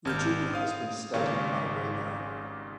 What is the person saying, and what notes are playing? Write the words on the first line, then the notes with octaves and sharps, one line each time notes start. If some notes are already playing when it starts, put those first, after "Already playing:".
Virginia has been studied by radar.
G#1 F6 G6
F5 D#6
G#1 G#2 C#3 G4 F5 C#6